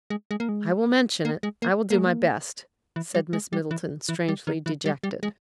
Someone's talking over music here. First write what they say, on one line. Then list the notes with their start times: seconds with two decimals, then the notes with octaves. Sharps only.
"I will mention it: I will do my best," said Miss Middleton, strangely dejected.
0.10 G#3
0.31 G#3
0.40 A#3
0.49 G#3
1.25 A#3
1.43 G#3
1.62 A#3
1.90 A#3
1.98 G#3
2.06 A#3
2.96 E3
3.15 G3
3.33 G#3
3.53 G3
3.71 E3
4.09 E3
4.28 G3
4.47 D#3
4.66 E3
4.86 G3
5.03 G3
5.23 G#3